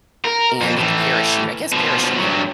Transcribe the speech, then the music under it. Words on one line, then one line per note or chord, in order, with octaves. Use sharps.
and with the parachute, I guess parachuting,
A#4
F2
A2 E3
B2 F3
G2 F#3